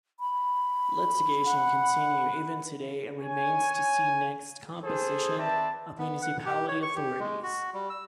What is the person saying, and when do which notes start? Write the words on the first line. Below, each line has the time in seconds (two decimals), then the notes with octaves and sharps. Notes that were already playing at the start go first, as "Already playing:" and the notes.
Litigation continue even today and remains to see next composition of municipality authorities.
0.20 B5
1.47 F#5
3.20 C#5 G#5
4.84 G#4 A4 C5
5.38 C4 B4 D5 E5 A5
5.98 B3
6.22 F#5
6.46 G4
6.68 C#5
6.82 C#6
6.95 G4
7.20 G#3
7.43 F#4
7.74 G3
7.90 E6